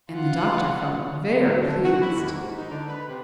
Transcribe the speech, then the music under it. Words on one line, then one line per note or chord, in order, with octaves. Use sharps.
And the Doctor felt very pleased.
F4 F#5
F#3
D3
F#4
E4
D#2
G#2
D#4
D3
B4
C3